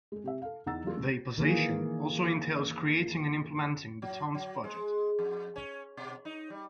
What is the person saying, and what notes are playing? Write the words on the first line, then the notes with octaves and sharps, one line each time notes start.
The position also entails creating and implementing the town's budget.
G#3 G#4
C3 G4 E5
A4 F5
E2 D#4 F#5 A#5 E6 A6
E3 F#3 G3 A#3 F4 G#4
C#2
D#3 E3 A#3 G#4
F#3
F#3
G#3
F2
C#4
B2
D#4
G3